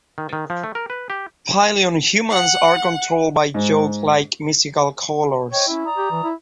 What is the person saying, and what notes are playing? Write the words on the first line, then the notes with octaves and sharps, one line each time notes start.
Pylean humans are controlled by yoke-like mystical collars.
D#3
D#3
F3
A3
A#4
B4
G4
F#5
G#2
C5 C#5 D#5 G5
C#4 E4
D5 A#5 D#6
G4
E3
E4